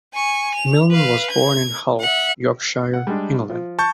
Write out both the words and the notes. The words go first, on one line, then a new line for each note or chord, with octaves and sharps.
Milne was born in Hull, Yorkshire, England.
G#5 C#6
F7
B4 F5
G#6
E5 F#5
F#5
G3 G#3 D4
F3
A5 C#6 G6